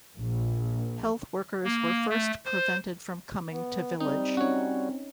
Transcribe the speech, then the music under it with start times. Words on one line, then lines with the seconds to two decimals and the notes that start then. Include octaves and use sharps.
Health workers were first prevented from coming to village.
0.17 A#1
1.64 A#3
2.09 A3
2.45 C5
3.51 B3
4.00 G3 C4 D#4
4.37 C#4 D#4 F#4 C#5